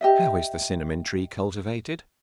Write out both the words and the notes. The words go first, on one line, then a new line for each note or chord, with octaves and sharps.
How is the Cinnamon Tree cultivated?
G4 D#5 E5